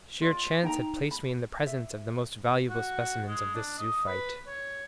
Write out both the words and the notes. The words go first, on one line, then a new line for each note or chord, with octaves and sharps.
Sheer chance had placed me in the presence of the most valuable specimens of this zoophyte.
F4 D5
D#4 G5 A#5
B5
E5
F#4
G#3
D4
D#5
B4
C#5